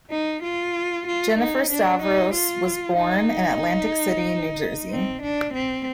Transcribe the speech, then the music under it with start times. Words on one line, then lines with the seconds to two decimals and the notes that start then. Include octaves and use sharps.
Jennifer Stavros was born in Atlantic City, New Jersey.
0.10 D#4
0.43 F4
1.07 F4
1.38 D#4
1.71 D4
2.02 D#4
2.34 F4
2.98 D#4
4.90 C4
5.22 D4
5.54 C4